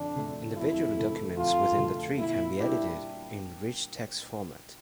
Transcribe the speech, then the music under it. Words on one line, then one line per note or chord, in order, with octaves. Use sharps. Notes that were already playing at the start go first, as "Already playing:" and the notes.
Individual documents within the tree can be edited in Rich Text Format.
Already playing: F2 D3 D4
D3 A3
F2 E4
D3 A3
F2 F4
D3 A3
A#2 E4
G3 D4 E4 G4 A#4